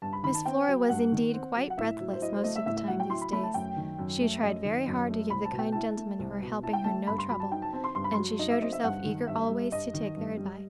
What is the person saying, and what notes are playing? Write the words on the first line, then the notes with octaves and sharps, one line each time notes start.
Miss Flora was, indeed, quite breathless most of the time, these days. She tried very hard to give the kind gentlemen who were helping her no trouble, and she showed herself eager always to take their advice.
G2 A5
B5
D#3 B5
A5
C4 G5
F#3
G2 F#5
D#3
C4
F#3
F#5
A2 E5
F#3
C5
E4 D#5
C5
A3 D#5
E5
A2 E5
E5
F#3 F#5
G5
E4 C6
B5
A3 B5
A5
F#2 G5
D#3
F#2
A3
F#2 D#5
D#3
F#2
A3
C2 B5
A5
B2
G5
E4 A5
A3
C2
B2
E4 A5
G5
A3 A5
G2 B5
C6
F#3 B5
A5
D#4 G5
A5
C4 A5
C6
G2 C6
B5
F#3 C6
D#4 D#5
E5
C4 D#5
E5
G2 F#5
D#3
G2 E5
G3
G2 D#5
D#3
G2
G3